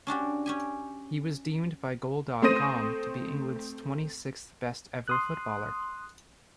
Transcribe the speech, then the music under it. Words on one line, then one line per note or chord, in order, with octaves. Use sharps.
He was deemed by Goal dot com to be England's twenty-sixth best ever footballer.
C#4 D4 F#4 G4
C#4 G4 G#5
A3 C4 C5 D#6 A#6 D#7
C6 D#6 F#6